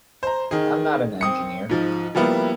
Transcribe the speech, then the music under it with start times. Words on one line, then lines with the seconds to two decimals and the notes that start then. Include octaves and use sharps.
I'm not an engineer.
0.23 C5 A#5
0.51 D#3 G#4
1.21 C4 D#6 C#7
1.69 G#2 F3
2.15 F3 G3 A#3 B3 E4